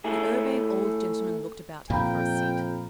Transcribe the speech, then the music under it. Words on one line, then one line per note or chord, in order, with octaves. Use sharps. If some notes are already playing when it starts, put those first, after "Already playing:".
The Urbane Old Gentleman looked about him for a seat.
A3 E4 G#4
F2 A#2 D#3 F3 F5 G5 A#5 B5